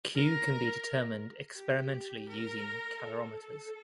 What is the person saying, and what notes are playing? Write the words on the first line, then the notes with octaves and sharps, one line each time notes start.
"Q" can be determined experimentally using calorimeters.
A#4
G4
A#4
A4